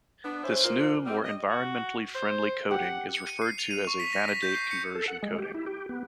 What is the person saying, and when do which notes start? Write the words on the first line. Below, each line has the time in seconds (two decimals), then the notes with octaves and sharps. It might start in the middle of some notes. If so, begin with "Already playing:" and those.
This new, more environmentally friendly coating is referred to as a vanadate conversion coating.
0.24 B3 D4
0.44 C#4 E4 C5
0.64 A#2 A#3 F4 C5
1.06 G3 C4
1.24 D#5
1.50 F#4
2.15 C5
2.71 G4 F#5
3.14 C#7
3.27 D#7
3.42 C7
3.58 F7
3.71 D#7
3.87 C#6
4.00 B6
4.13 A#6
4.28 B6
4.42 G6
4.55 C7
4.71 C#7
4.95 A4
5.08 F#5
5.23 G#3
5.39 G4
5.54 E4
5.66 G4
5.89 B3